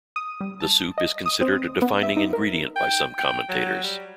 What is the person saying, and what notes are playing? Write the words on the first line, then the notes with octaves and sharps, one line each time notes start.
The soup is considered a defining ingredient by some commentators.
D#6
G3
A5
D#5
D#6
C4
B3
E5
D#4
A#4
G5
G5
F#3
G3